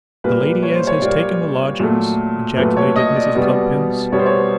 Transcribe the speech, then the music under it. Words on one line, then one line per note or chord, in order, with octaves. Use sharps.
The lady as has taken the lodgings!' ejaculated Mrs. Cluppins.
A#2 G3 A#3 B4
C#5
C5
C#5
A#2 G3 A#3 D5
A#2 F#3 A3
A#2 F#3 A3 B4
C#5
D#5
D5
B2 G3 B3
B2 G3 B3 C#5
C5
C#5